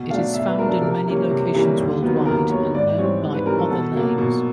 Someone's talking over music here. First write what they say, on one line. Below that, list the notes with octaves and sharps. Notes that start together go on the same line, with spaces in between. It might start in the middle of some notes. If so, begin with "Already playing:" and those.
It is found in many locations worldwide and known by other names.
Already playing: B2
F#3 A3 D4 F5
B2 E5
B4
F#3 A3 D4 A#4
A4
C3 A#4
E3 G3 A#3 C#4
C3
E3 G3 A#3 C#4
D#2
D#3 F#3 B3
D#2 A#4
D#3 F#3 B3 C#5
G#2 D5
E3 G3 C4 C#5
G#2
B4
E3 G3 C4 A#4
A4
B2 A4
F#3 A#3
B2